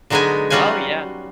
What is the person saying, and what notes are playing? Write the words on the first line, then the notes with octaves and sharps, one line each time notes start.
Oh, yeah.
D3 F#3 G#3 B3 D#4 G#5
F#3 G3 C#4 F4 F#4 G#5